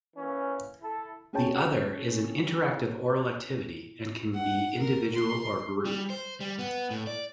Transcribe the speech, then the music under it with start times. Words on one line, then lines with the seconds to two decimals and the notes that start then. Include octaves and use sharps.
The other is an interactive oral activity and can be individual or group.
0.15 E3 A#3 C#4
0.81 E4 A4
1.33 C#4 F#4 G#4 C#5 G5 A5
4.35 F#5
4.78 A#4
5.15 C6
5.85 G3
6.10 C5
6.40 G3
6.59 B3
6.90 A2
7.07 D5